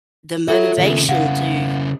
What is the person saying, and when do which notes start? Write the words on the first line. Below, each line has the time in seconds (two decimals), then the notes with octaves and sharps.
the motivation to
0.48 F4 F#4 A4 C#5 E5
0.78 D#2 C#3
1.09 C#3 E4 F5 F#5